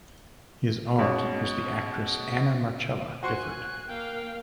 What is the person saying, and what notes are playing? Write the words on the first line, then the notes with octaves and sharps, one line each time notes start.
His aunt was the actress Anna Marcella Giffard.
G#2 B2 C#4
F#4 C5 G#5 C#6 F#6
A#3 F5 G5